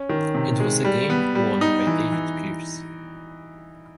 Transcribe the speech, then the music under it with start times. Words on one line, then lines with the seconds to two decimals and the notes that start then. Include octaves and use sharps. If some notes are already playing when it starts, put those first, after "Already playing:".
It was again won by David Pearce.
Already playing: C#4
0.09 D#3
0.35 C3
0.60 G#3
0.85 G3
1.10 B3
1.35 G3
1.61 D#4
1.87 E3
2.12 E3